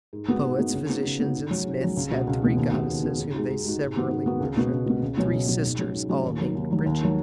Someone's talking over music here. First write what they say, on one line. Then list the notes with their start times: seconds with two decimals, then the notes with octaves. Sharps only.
Poets, physicians, and smiths had three goddesses whom they severally worshipped, three sisters, all named Brigit.
0.13 G#2
0.28 G#3 B3 D#4 F#4
0.43 G#2
0.58 G#3 B3 D#4 F#4
0.74 C#3
0.89 B3 D#4 F#4
1.05 C#3
1.19 B3 D#4 F#4
1.35 G#2
1.51 F#3 C#4 F#4
1.65 G#2
1.81 F#3 C#4 F#4
1.97 C#2
2.11 B2 B3 F#4
2.27 C#2
2.42 B2 B3 F#4
2.57 D#2
2.72 C#3 B3 F#4
2.88 D#2
3.03 C#3 B3 F#4
3.19 G#2
3.34 G#3 D#4 F#4
3.48 G#2
3.64 G#3 D#4 F#4
3.80 G#2
3.95 D#3 B3 F#4
4.10 G#2
4.26 D#3 B3 F#4
4.40 C#2
4.57 B2 B3 F#4
4.71 C#2
4.86 B2 B3 F#4
5.02 C#2
5.17 B2 F#3 C#4 F#4
5.32 C#2
5.48 B2 F#3 C#4 F#4
5.63 G#2
5.79 F#3 C#4 F#4
5.94 G#2
6.09 F#3 C#4 F#4
6.25 D#2
6.40 D#3 F#3
6.55 D#2
6.71 D#3 F#3
6.86 D#2
7.01 D#3 F#3